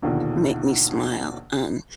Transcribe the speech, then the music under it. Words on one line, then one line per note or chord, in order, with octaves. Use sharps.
make me smile, um,
A#1 D#2 B2 D3 D#3 F3